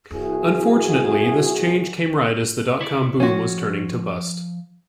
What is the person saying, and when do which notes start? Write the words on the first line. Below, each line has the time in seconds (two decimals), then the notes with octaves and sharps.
Unfortunately, this change came right as the dot-com boom was turning to bust.
0.13 C2 E4 F#4 G#4
2.81 E4 C#5 D5
3.20 F3 C#4 F#4